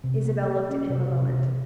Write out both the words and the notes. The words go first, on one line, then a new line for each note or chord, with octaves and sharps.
Isabel looked at him a moment.
C3
A#3
G3
C#4
C3
C3
C3